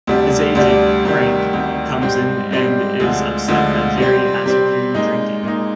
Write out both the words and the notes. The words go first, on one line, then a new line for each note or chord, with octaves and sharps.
His agent, Frank, comes in and is upset that Jerry has resumed drinking.
D2 C3 G3 D4
D2 C3 G3 D4
D2 C3 D#3 G3
D2 C3 D#3 G3
G#2 G3 C4 G4
G#2 G3 C4 G4
D2 D3 F3 G#3
D2 D3 F3 G#3
C3 G3 C4
C3 G3 C4
A#2 G#3 D#4
A#2 G#3 D#4